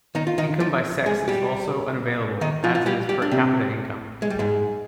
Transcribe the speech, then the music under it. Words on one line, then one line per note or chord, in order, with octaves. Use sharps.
Income by sex is also unavailable, as is per capita income.
D#3 D#4
F4
D#3 D#4
F3 F4
G#3 G#4
G3 G4
D#3 D#4
F3 F4
F4
G3 G4
G3 G4
D4
C3 C4
G#3
G3
G#2 G#3